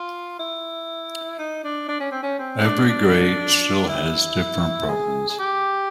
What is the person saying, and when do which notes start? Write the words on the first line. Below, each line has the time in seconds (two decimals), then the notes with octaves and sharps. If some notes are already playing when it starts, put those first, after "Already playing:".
Every grade still has different problems.
Already playing: F4
0.39 E4
1.39 D#4
1.64 D4
1.88 D4
2.00 C#4
2.12 C4
2.23 C#4
2.39 C4
2.64 D4
2.89 D4
3.89 E4
4.89 G#4
5.29 G#4
5.39 G4